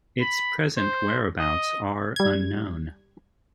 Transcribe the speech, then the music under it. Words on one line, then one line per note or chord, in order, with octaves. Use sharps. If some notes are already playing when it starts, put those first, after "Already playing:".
Its present whereabouts are unknown.
B5
C5
D#5
G3 G#6